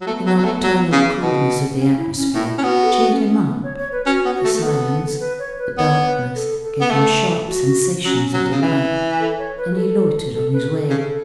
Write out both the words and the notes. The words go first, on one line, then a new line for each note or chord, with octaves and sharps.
The nocturnal coolness of the atmosphere cheered him up; the silence, the darkness gave him sharp sensations of delight, and he loitered on his way.
F#3
A3 B3
F#3
F#3
A3
F#3
C#3
B2
C#4
E4
C#4
A2 E4
C#4
B3 F#4
A4
F#4
C#4
C#4
B3
C#5
C#5
B4
C#4 F#4
B3
F#4
A3
A3
B3 A4
B4
C#5
B4
B3 C#5
B4
A4
A4
B3
A3 A4
F#4
F#3 C#4
F#3
C#3
E3
A4
C#5
B4
F#4
A4
A4
B4
A4
C#3